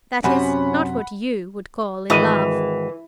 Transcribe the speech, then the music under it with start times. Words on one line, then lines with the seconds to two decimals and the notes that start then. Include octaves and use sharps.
That is, not what YOU would call in love.
0.24 F#2 C3 C#4 F#5 B5
2.10 G#1 E3 D#5